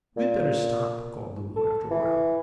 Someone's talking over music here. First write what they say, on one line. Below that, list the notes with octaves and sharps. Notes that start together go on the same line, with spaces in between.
"We had better stop," called Lulu, after a while.
A#2
A4
E3